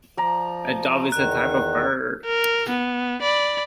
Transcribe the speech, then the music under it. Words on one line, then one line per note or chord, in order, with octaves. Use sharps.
A Dove is a type of bird.
F3 D5 A#5
E2 D#3 F#6
A#4
B3
D5 B5